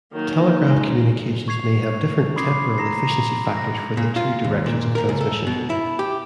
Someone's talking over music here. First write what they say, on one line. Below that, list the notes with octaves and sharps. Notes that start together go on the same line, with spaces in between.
Telegraph communications may have different temporal efficiency factors for the two directions of transmission.
D#3 F#3 A#3 D#4
G#3
C#6 G#6 C7 F7
B5 C6 D6 D#6 G#6 C7
A#5 D#6 A#6 C7
A#6
A#2
F4
D#2
A#2
A#4
C#2
A4
B2
E4
G4